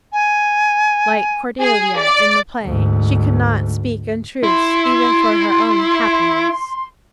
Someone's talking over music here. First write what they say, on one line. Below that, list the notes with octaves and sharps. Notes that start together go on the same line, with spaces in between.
Like Cordelia in the play, she could not speak untruths even for her own happiness.
G#5
G#4
D5
D2 G#2
E4 C6